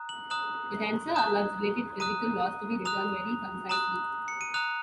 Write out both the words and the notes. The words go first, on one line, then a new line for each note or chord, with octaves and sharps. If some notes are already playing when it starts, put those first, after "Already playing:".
The tensor allows related physical laws to be written very concisely.
Already playing: A#5 D#6 F#6
F#7
A#5 D#6 F#6 F#7
A#5 D#6 F#6
A#5 D#6 F#6 D#7
A#5 D#6 F#6 F7
A#5 D#6 F#6 F#7
C#7
D#7
A#5 D#6 F#6 F7